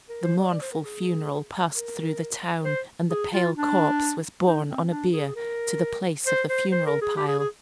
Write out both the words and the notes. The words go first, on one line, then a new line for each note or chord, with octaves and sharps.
The mournful funeral passed through the town, and the pale corpse was borne on a bier to the place of the funeral pile.
A#4
C5
D5
D5
C5
A#4
G#4
A#4
C5
G#4
F4
D4
D#4
C4
D4
G#4
G#4
A#4
C5
C5
C5
A#4
G#4
G4
G#4
G#4